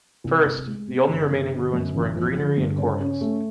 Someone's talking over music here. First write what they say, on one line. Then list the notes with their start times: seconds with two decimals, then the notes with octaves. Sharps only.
First, the only remaining ruins were in greenery and corons.
0.24 C2
0.46 C2
0.66 G#3
0.88 B2
1.09 G1
1.30 G1
1.52 D3
1.73 F#2
1.94 A1
2.16 F3
2.37 D3
2.57 G2
2.78 C#3
3.00 C#4
3.21 A3